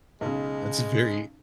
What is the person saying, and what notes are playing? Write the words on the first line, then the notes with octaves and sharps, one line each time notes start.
That's very
B1 C#3 G#3